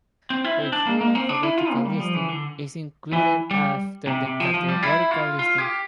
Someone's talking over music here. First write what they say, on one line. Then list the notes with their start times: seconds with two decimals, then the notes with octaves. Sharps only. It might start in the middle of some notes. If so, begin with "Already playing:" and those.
A full alphabetical listing is included after the categorical listing.
0.30 C4
0.44 E4
0.58 C4
0.73 D4
0.87 A#3
1.01 A#3
1.15 C4
1.29 D4
1.43 E4
1.58 F4
1.71 A#3
1.85 G3
2.00 F3
2.14 E3
2.28 D3
3.13 E3
3.51 G3
4.07 C3
4.25 C3
4.40 F3
4.54 F3
4.68 G3
4.83 E4
5.11 F4
5.39 F4
5.58 G4